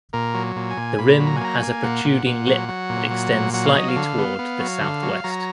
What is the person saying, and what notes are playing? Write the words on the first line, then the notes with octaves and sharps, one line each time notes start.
The rim has a protruding lip that extends slightly toward the southwest.
A#2 A#4
F#3
A#2
G#5
A#2
A#2 B5
F#3
A#5
G#5
A#3 A#5
G#5
A#3
A#2 F#5
A#2
A#2
F#3
F#3
A#2
F#3
A#2
F#3 F#5
F5
F#3 D#5
F5
D3
B3
B3
F#3
D3
F#3
F#3 A#5